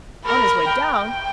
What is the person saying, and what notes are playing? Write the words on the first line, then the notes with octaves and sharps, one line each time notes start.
On his way down!
A#4 B5
G5